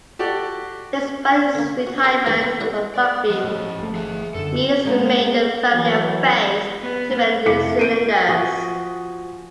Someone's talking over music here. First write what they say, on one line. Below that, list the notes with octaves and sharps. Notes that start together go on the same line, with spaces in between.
Despite his retirement from rugby, Meads remained a familiar face to many New Zealanders.
F#4 G4 A4 D5
D3 A#3
F#4
G4 A#4 C5 C#5 D#5 G#5
E2 G2 D#3 G#3 A#3 C#4
C4 B4
A1 A2 G3 D5 F#5 C#6
D5
F3 D#5
A2
G1 A3
G#4 E5
F#2 D3 A4
G#3 A#3 B3
E3 F#3
B3
F1 E4 F5 D6 B6 C#7
G6 D7 D#7
F3 F#4 G#5 D#6